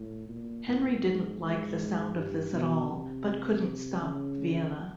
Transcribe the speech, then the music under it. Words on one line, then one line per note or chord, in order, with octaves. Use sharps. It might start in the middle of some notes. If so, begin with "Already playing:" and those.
Henry didn't like the sound of this at all, but couldn't stop Vienna.
Already playing: A2
A#2
A2
G#2
G#2
G2
B2
C3
C#3